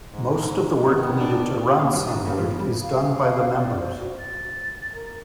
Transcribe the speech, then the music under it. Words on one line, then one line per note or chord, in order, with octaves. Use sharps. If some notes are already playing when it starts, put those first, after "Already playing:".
Most of the work needed to run Sunward is done by the members.
G#2
D#3 B3
D4
B2 A#3 G#4 F5
F#2 D#3 G3 D4
D#3 G3 D4 D#4
C#3 A3 F5
E3 F3 G#3 B3 F4
G3
F5
D5
C5
F#4
A6
A#4